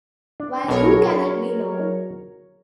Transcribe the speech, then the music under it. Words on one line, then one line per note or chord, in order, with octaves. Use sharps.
While Who Can It Be Now?
D4
B1 B2 F#3 A#4 C#5
G#4